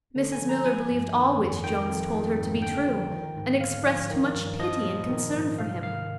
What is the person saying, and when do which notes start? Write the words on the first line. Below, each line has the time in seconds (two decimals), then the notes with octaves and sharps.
Mrs Miller believed all which Jones told her to be true, and exprest much pity and concern for him.
0.16 D3
0.32 G#5
0.41 F3
0.49 A#5
0.65 F3 G#5
0.90 G2
1.15 D#3
1.40 F2
1.64 D#3 G5
1.89 F2
2.13 D#3
2.38 G#2
2.62 D3 G5
2.87 F3
3.12 D#3
3.36 G#2
3.61 D3 F5
3.86 F3
4.10 D#3
4.35 G2
4.60 F3 D#5
4.84 A#2
5.09 D#3
5.34 G#2
5.58 C3 F5
5.83 D#3 F5